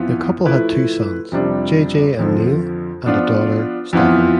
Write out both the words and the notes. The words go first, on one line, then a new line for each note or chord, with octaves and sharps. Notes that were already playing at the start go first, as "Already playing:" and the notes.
The couple had two sons, J. J. and Neil, and a daughter, Stephanie.
Already playing: F2 E3 B3 F4
F3 A3 E4 B4
F2 C3 G3 D4
F2 D3 F3
F3 B3 D4 F4
F2 E3 B3 F4